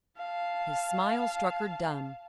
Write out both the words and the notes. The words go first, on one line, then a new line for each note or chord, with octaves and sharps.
His smile struck her dumb.
F5 A5